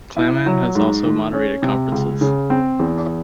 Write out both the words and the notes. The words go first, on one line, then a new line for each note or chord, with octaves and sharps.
Claman has also moderated conferences.
E4
F#3
G#2
D#3
C#4
C3
C#2
C#3
C4
E2